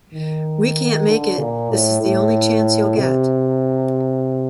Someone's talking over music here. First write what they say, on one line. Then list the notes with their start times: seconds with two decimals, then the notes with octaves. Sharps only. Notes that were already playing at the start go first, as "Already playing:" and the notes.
We can't make it, this is the only chance you'll get.
0.13 D#3
1.09 D3
1.39 A#2
1.71 A2
2.02 A2
2.97 C3